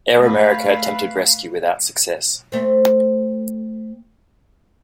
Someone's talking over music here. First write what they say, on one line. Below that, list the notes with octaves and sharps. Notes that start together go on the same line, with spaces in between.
Air America attempted rescue without success.
A3 B4 F5
A3 C4